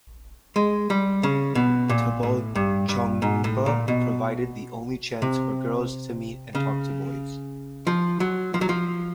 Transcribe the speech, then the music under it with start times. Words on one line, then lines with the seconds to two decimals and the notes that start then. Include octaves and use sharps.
Thabal chongba provided the only chance for girls to meet and talk to boys.
0.56 G#3
0.90 G3
1.23 C#3
1.55 B2
1.89 A#2
2.23 A2
2.55 G2
2.89 G2
3.22 G#2
3.44 A2
3.66 A#2
3.88 B2
5.22 C3
6.55 C#3
7.87 F3
8.20 F#3
8.54 F3
8.61 F#3
8.69 F3